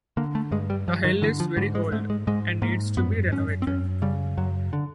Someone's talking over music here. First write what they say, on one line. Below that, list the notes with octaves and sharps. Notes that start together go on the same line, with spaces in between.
The hill is very old and needs to be renovated.
D3 A#3
A3
G2 G#3
G3
G2 F3
D#3
D3 E3
F3
G#2 G3
G#3
G#2 A3
G#3
G#2 G#3
G#2 A#3
F#2 B3
F#2 C#4
C4
F#2 C#4
C#3 G3
F#2 F#3
D3